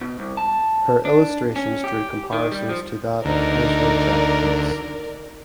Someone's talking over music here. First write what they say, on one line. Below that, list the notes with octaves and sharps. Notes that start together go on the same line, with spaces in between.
Her illustrations drew comparisons to that of Ezra Jack Keats.
B2
C2
A5
D4
C#4
G4
D#3
G3
F3
D2 D#4 A#4 D5